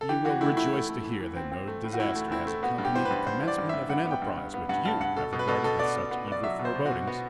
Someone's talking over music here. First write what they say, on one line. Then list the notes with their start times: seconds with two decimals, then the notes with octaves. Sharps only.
You will rejoice to hear that no disaster has accompanied the commencement of an enterprise which you have regarded with such evil forebodings.
0.01 A4
0.09 E3 G4
0.25 E3 F#4
0.41 A3 E4
0.57 A3 E4
0.73 A3
0.89 A3
1.04 E3
1.20 E3
1.36 C4
1.52 C4
1.67 A3
1.84 A2
1.93 F#4
2.00 E3 E4
2.15 A3
2.31 C4 E4
2.47 A3
2.63 B3 F#4
2.78 G2
2.85 G4
2.95 E3 C5
3.05 B4
3.11 G2
3.26 G2 C5
3.43 E3 D5
3.58 G2
3.69 G2 E5
3.89 G2 F#5
4.05 B3
4.11 G5
4.22 G2
4.38 G2
4.54 B3
4.69 G2 F#5
4.85 G2 A5
5.01 G2 F#5
5.16 B2 A4
5.33 B2
5.39 B4
5.48 B2 A4
5.64 B2 A4
5.79 B3 D5
5.96 B2
6.11 B3
6.28 B3 D5
6.43 F#3 E5
6.59 B2
6.65 C5
6.75 B2
6.85 B2 F#4
7.07 B3 F#4